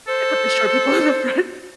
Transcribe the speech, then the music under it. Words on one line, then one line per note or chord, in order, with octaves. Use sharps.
They put the short people in the front.
A4 C5